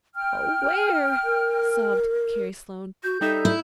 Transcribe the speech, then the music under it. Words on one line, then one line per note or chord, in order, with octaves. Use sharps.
"Where?" sobbed Carrie Sloane.
G5 F6
A#4
F#4 G6
G3 D#4 A4 E5
E4